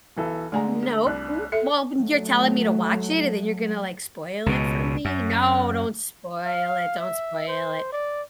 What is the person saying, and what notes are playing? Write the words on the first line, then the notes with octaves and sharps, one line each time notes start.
Nope, w well, you're telling me to watch it, and then you're gonna, like, spoil it for me. No, don't spoil it, don't spoil it.
B1 E3 A4
D3 G#3 A3 G#5 A#5
G#4
C2 D4 F#6
A4 E5 C#7
F#3 A3
C#2 B2
F#2
F5
E5
C5
D5